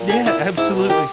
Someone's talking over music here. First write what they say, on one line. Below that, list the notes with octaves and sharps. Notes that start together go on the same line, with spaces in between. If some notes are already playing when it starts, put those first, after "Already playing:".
Yeah, absolutely.
Already playing: A#2
G#4
E4
G#2 E4
B2
D#3 G4